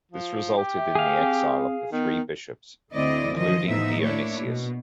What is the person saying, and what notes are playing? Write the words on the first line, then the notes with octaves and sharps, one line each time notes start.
This resulted in the exile of the three bishops, including Dionysius.
F3
G4
E5
G#4 F5
C4
D#3 B3
D2 D3 C4 E4 D5 D#5
D#3 F3 D#5
A2 F3 B3 D#4 E5
A#3 D4 E4 C#5
B2